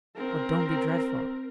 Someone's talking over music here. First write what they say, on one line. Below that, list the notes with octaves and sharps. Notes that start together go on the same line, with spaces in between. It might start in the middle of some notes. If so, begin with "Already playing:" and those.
Oh, don't be dreadful!'
C4 A#4